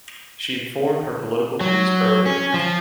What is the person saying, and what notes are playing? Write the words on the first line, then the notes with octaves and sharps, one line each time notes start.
She formed her political views early.
F#3
C#4
F3